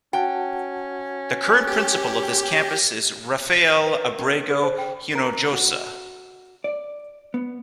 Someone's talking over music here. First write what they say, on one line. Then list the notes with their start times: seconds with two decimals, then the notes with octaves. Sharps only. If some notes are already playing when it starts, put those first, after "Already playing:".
The current principal of this campus is Rafael Abrego Hinojosa.
0.13 C#4 F#4 F#5 G5 A5
1.67 G4
3.87 B4
4.05 A#4
4.19 C#4
4.50 G#4
4.63 C5
4.78 G5
5.15 A#4
5.53 F#4
6.64 D5
7.34 B3